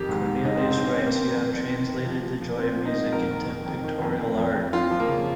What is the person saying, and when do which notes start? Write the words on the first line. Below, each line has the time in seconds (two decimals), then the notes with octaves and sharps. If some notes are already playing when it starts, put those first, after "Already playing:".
Cornelius writes, You have translated the joy of music into pictorial art.
Already playing: F2 D#3 G4
0.09 G#2
0.27 G#2
0.45 G#2 D#4
0.57 C4
0.62 G#2
0.71 C4
0.80 G#2 C#4
0.98 D#3 C4
1.06 A#3
1.16 D#3
1.23 A#3
1.34 F2
1.52 F2
1.69 D#3
1.87 D#3
2.05 F3
2.23 F3
2.41 F3
2.59 F3 C4
2.76 F3
2.85 D#4
2.95 G#2
3.12 F2 A#4
3.30 D#3
3.48 D#3
3.66 F2
3.84 D#3
4.01 F2
4.19 F2
4.37 F2
4.55 F2
4.73 F2 F4
4.91 F3
5.00 A#3
5.08 C#3